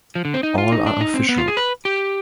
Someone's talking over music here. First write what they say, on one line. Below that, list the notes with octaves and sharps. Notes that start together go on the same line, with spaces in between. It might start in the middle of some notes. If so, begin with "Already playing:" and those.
All are official.
F3
D3
C4
D#4
F4
D#4
D4
D#4
C4
B3
F4
G#4
B4
G4